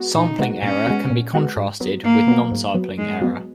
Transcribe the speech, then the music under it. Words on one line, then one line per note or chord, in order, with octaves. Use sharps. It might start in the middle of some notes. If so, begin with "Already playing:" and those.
Sampling error can be contrasted with non-sampling error.
Already playing: G#3 B3 F#4
A#2 D#4
G#3 B3 F#4
A#2 C#4
G#3 B3 F#4
A#2
G#3 B3 F#4
G#2
F#3 B3
G#2 A#3
F#3 B3
G#2
F#3 B3
G#2 G#3
F#3 B3